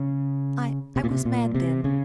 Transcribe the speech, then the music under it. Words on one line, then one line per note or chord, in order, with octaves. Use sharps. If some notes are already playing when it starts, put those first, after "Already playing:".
I--I was mad then.
Already playing: C#3
C3
A#2
C3
A#2
C3
C#3